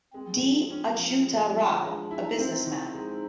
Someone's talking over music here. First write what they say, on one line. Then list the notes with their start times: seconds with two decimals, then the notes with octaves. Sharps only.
D. Achyuta Rao, a businessman.
0.14 G#3 C4
0.42 F3
0.70 C#4
0.98 F3
1.26 G#3
1.54 F3
1.82 G#3 D4
2.11 E4
2.24 D#4
2.39 C4
2.66 D#3
2.94 G#3